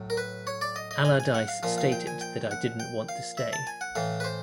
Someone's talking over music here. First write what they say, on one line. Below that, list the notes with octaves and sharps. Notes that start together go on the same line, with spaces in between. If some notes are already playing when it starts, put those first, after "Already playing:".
Allardyce stated that I didn't want to stay.
Already playing: A2 F#3
A#4
B4
C#5
D5
D#5
D#5
G#5
G#5
F#5
F5
A#2 F3 F5
F5
G5
G#5
G5
F#5
G5
F5
E5
A5
G#5
F#5
A2 E3 F5
B4
C5